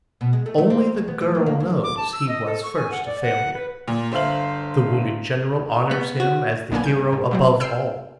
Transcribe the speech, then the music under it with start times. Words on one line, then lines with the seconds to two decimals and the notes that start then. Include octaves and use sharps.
Only the girl knows he was first a failure. The wounded general honors him as the hero above all.
0.21 B2
0.33 G#3
0.46 A3
0.58 A3
0.70 C4
0.95 D#2
1.08 B3
1.21 A3
1.35 A#3
1.46 A#3
1.60 F#2
1.84 D6
1.97 A5
2.13 E6
2.29 D#5
2.46 A4
2.63 C#6
2.76 G#5
2.91 F#5
3.06 D5
3.22 F#5
3.54 B4
3.88 A#2
4.12 G1 C5 E5 F5 F#7
5.91 B3
6.20 F#4
6.71 B1 D3 A#3 B3 G#5
6.84 G2 G6
7.13 G#2
7.31 A#2 F#3 C4
7.60 E6 F6 G6 C7 D7